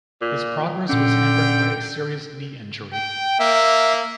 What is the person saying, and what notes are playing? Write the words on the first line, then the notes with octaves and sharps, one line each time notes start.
His progress was hampered by a serious knee injury.
A#2
A#2 D3 C#4 G5
G5
A#3 E5